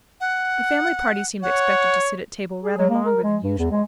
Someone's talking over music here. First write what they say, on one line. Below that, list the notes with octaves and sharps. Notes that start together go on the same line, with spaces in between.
The family party seemed expected to sit at table rather longer than usual.
F#5
C#5 F#5
G#4
F#3
A#3
A#4
G#3
G2
E2
G#3